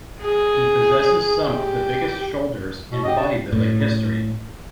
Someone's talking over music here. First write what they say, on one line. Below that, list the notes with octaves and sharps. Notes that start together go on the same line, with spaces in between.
He possesses some of the biggest shoulders in bodybuilding history.
G#4
G4
B2
C#3 F#4 G4 D#5
D4 C#5 A5
A2